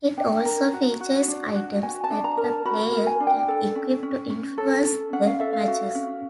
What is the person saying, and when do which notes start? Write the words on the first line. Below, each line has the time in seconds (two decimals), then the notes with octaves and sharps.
It also features items that a player can equip to influence the matches.
0.17 D4 G5
0.45 A#4
0.73 F#4
1.01 F#4
1.28 D4
1.55 F#4
1.82 F#4 G#5
2.04 A5
2.10 D4
2.24 A#5
2.37 A#4
2.44 A5
2.65 F#4 B5
2.92 A#4
3.07 G#5
3.20 D4
3.27 G5
3.48 A4
3.75 C#4
4.03 C#4
4.30 C#4
4.58 A4
4.85 C#4
5.13 C#4 F#5
5.26 F5
5.40 A4 E5
5.53 F5
5.68 F#4
5.95 C#4